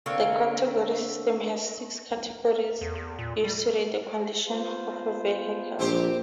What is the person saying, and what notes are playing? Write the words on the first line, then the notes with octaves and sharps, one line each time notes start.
The category system has six categories used to rate the condition of a vehicle.
D3 A#3 C4 C#5
E2
E2
A#2
G3
B3 F4 C5
A#1 C4 G4 C5